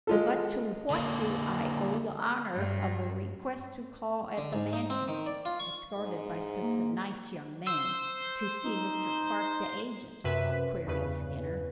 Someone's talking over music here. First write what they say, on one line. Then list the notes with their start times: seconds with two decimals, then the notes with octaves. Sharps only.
"But to what do I owe the honor of a request to call at the Mansion, escorted by such a nice young man, to see Mr. Clark, the agent?" queried Skinner.
0.07 G#3 F4 A4
0.90 D3 A#3
2.53 G2
4.37 D3
4.53 G#2
4.73 D#4
4.90 C4
5.08 D#3
5.26 D5
5.45 F4
5.60 C#6
5.98 G#2
6.62 A#3
7.67 C5 E6
8.64 D#4
10.24 F#2 C3 B4 E5 B6
10.86 E2 G2 C#3 B4